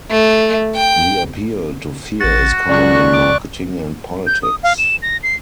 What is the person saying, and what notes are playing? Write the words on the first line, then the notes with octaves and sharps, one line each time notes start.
The appeal to fear is common in marketing and politics.
A3
G5
A1 F#4 A6
C#2 D5 C#6 F#6
D6
G6
D#6
F5
E7
A#6
C7